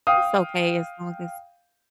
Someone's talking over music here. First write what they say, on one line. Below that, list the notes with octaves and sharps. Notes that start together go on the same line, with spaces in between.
it's okay as long as
F5 G5 D#6